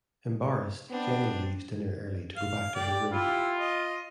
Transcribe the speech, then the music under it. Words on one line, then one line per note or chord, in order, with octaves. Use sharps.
Embarrassed, Jenny leaves dinner early to go back to her room.
B3 C4 D4
F5
G4 D5
E4 F4 G4
D#5